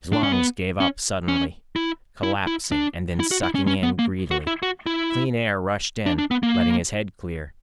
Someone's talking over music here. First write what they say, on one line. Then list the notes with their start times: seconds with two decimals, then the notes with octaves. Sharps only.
His lungs gave up suddenly, collapsing and then sucking in greedily. Clean air rushed in, letting his head clear.
0.13 D4
0.23 C#4
0.32 B3
0.80 C#4
1.28 C#4
1.76 E4
2.23 E4
2.47 E4
2.72 D4
3.20 E4
3.31 F#4
3.43 E4
3.55 C#4
3.67 C#4
3.83 B3
3.99 A#3
4.31 F#4
4.47 E4
4.63 F#4
4.86 E4
6.06 D4
6.18 D4
6.31 B3
6.43 A#3